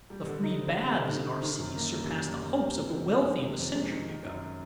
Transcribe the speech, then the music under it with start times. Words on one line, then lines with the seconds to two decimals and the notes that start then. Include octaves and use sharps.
The free baths in our cities surpass the hopes of the wealthy of a century ago.
0.10 G3
0.27 D3
0.43 D#4
0.60 C4
0.77 G3
0.93 D3
1.10 D#4
1.26 C4
1.43 D#3
1.60 F#2
1.77 A#3
1.92 G3
2.09 D#3
2.26 F#2
2.43 A#3
2.59 G3
2.76 C3
2.92 F2
3.09 G#3
3.26 D#3
3.41 C3
3.59 F2
3.75 G#3
3.92 D#3
4.09 D#3
4.25 F#2